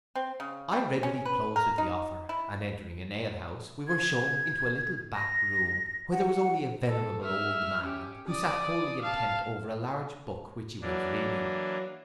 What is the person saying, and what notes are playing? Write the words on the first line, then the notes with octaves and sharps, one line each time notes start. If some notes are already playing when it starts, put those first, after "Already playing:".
I readily closed with the offer, and entering an ale-house, we were shewn into a little back room, where there was only a venerable old man, who sat wholly intent over a large book, which he was reading.
C4
C#3
G3
C#4
B4
A#4
D#4
E4
G#6
A#6
F#5
A4
E5 F6
C#4 G4
D5 D#6
F5 A5
E3 F#3 A#3 D4